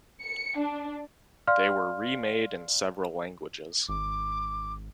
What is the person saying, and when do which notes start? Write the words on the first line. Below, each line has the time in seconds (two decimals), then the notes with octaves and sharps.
They were remade in several languages.
0.22 C#7
0.58 D4
1.47 D5 F5 C6 F6
3.89 G#1 D6